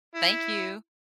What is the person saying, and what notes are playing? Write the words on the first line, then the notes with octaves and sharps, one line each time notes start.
Thank you.
E4